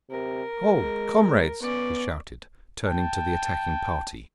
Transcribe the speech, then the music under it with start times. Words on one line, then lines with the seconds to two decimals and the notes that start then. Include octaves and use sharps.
'Hold, comrades!' he shouted, turning to the attacking party.
0.11 C3 A#4
0.60 G#3
1.62 B3 C#4 D5
2.87 G5 A5